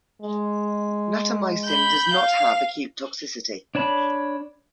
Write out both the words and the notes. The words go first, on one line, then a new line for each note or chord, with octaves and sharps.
Natamycin does not have acute toxicity.
G#3
B5 G6
F5
D4 C#5 A5 B5